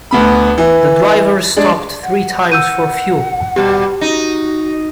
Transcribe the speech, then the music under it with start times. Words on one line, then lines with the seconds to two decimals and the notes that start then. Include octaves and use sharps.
The drivers stopped three times for fuel.
0.11 D2 B3 B5
0.58 E3
1.57 G#3 D4
2.03 F#5
2.52 F#5 E6 G6 D#7
3.56 B2 G3 G4
4.01 D#4 F#4